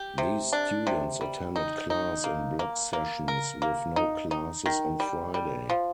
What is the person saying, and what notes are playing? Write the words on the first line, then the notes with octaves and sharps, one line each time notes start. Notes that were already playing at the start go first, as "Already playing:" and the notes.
These students attended class in block sessions with no classes on Friday.
Already playing: G4
C3
D4
C3
G3
D#4
D#4
A#3
A#3
A#3
A#4
A#3
D#4
D#4
D#3
G3
G3
F3